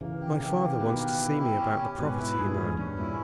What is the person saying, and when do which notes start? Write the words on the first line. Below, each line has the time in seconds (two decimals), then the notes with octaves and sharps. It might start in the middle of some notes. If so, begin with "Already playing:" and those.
"My father wants to see me about the property, you know."
0.01 C#3 E3 A#3
0.20 G4
0.40 C#3 E3 G4
0.59 A#3
0.80 B2 D#3 B4
0.99 G4
1.19 E4
1.39 G4
1.59 C#4
1.78 C#4
1.98 G#2 B2 B4
2.19 E4
2.38 G2 A#2 G#4
2.57 E2 G#2 C#4
2.77 G2 C#4
2.98 G2 A#2 E4